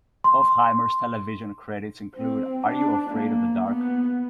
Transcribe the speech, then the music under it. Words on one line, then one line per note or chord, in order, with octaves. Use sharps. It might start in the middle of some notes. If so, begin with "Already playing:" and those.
Hofheimer's television credits include Are You Afraid of the Dark?
C6
C4
D4
A#3
B3